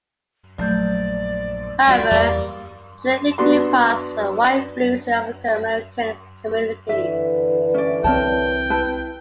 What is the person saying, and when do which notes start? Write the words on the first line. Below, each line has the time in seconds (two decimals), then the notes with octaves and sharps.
However, today the group has a wide influence in the African American community.
0.58 A#1 F#3 A3 D5 G6
1.87 D2 G3 F4 F#4 D5 G5
2.11 E2 G3 A#3
3.38 B3 D4 F#4 C6
6.89 D3 E3 E5
7.74 C#4 D5
8.04 C2 F#3 C4 A#4 C#5 G5 A5
8.70 E4 B4 A5